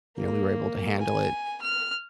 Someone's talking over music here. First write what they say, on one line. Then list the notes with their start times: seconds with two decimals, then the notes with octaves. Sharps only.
You know, we were able to handle it,
0.18 A#3
1.01 G#5
1.62 F6